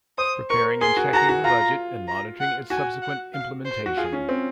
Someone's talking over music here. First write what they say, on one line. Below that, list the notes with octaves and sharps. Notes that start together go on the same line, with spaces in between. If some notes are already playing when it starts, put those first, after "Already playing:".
Preparing and checking the budget and monitoring its subsequent implementation.
C5 D#6
A#4 C#6
G#4 C6
F#4
F#4 A#5
F#4
F4 A#5
A#5
F#5
F#4 G#5
F#5
F5
C5
F#4
F4 G#4
C#4
C4